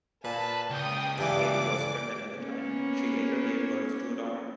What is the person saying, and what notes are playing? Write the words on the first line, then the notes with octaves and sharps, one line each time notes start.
Gibb was pregnant at the time; she later gave birth to a daughter.
A#2 B4 A5
C#2 G5 D#6
G2 E3 D5 D6
A#3 B3 C#4